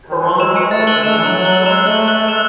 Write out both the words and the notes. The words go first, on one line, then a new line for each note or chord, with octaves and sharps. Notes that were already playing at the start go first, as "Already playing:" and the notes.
Quran also contains the flood narrative.
D#3
E3
F#3
G#3 E6 E7
C#6 C#7
A3 A6
F#6 F#7
G#3
A3 E6 E7
E3
F#3
F#3 F#6 F#7
G#3 E6 E7
A3 F#6 F#7
A3 F#6 F#7
G#3 E6 E7